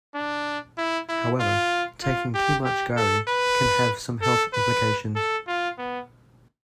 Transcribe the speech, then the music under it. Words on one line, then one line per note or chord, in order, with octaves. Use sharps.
However, taking too much garri can have some health implications.
D4
E4
E4
F4
F4
G4
G4
A4
B4
A4
B4
A4
F4
B3